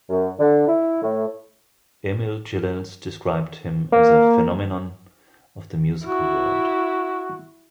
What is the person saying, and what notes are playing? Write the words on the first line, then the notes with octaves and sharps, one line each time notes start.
Emil Gilels described him as a "phenomenon of the musical world".
F#2
D3
E4
A2
A#3
E4 F#4